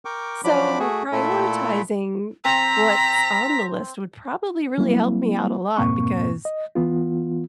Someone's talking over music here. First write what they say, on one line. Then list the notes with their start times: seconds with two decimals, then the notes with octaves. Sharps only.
So, prioritizing what's on the list would probably really help me out a lot because
0.05 A#4 G5 C#6 D6
0.44 F3 F#3 D4 B5 D6
0.79 A3 F#4 G#4
1.12 A#2 A3 E4 A4
2.45 C4 A#5 B6
4.78 F#3 G3 A#3 C4 E4
5.77 F2 G#2 B2 A#3 C4 C#6
6.45 D#5
6.75 E3 B3 F4